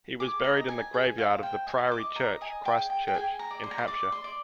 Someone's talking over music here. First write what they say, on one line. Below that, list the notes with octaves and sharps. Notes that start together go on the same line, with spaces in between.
He was buried in the graveyard of the Priory Church, Christchurch in Hampshire.
G#4 D6
A#5
D#5
G#5
G#4 G#5
F5
C5
G5
D#5 G#5
C6
D6
D#5
A#5
D#5 G#5
G5
G#4
G5
G5
G#4 G#5
A#5
D5
C6
A#5
C6
D5 D6
C6
D5